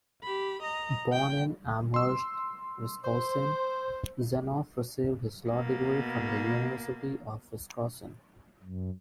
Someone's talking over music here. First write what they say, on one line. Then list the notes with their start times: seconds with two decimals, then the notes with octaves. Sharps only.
Born in Amherst, Wisconsin, Zenoff received his law degree from the University of Wisconsin.
0.23 G4 B5
0.62 D#5 A#5
1.13 G5
1.94 C6 E6
3.05 C5
5.49 B2 A#3
8.63 F#2